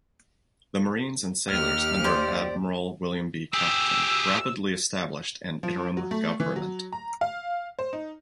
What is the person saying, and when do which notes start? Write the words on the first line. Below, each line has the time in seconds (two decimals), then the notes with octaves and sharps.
The Marines and sailors under Admiral William B. Caperton rapidly reestablished an interim government.
1.49 D#2 G4 F6
2.04 C5 D5
3.54 G4 G#4 E6
5.63 F3
5.97 F#3
6.11 A3
6.40 E3
6.56 F#3
6.92 A#5
7.21 F5
7.79 C5
7.93 D#4